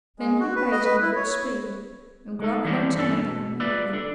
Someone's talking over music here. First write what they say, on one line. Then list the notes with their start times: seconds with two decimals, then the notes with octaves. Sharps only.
Then he bade him good speed, and Gluck went on again merrily.
0.19 G#3
0.40 F#4
0.56 B4
0.72 D#5
0.85 B4
1.02 E4
1.16 C#5
2.40 G#3 D#4 A4
2.65 E3 G3 G#3 A#3 C#4 D4
2.96 G2 E3 A4
3.17 B2
3.60 F4 B4 D5 E5
3.93 D4 A4